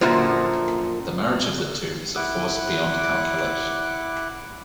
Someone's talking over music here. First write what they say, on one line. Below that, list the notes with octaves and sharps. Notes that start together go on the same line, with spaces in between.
The marriage of the two is a force beyond calculation.
F#2 A#2 D3 F3
E4 F#5 D6 F#6